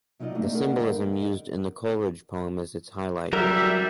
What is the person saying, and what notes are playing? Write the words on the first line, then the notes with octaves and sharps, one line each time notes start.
The symbolism used in the Coleridge poem is its highlight.
C3 F#3 D#4 F4 D5 D#5
A3 A#3 C4 D4 D#4
G#4 A#4 B4 D5 F#5
G2 D3 D#4 A#4
F#3 G3 A#4 E5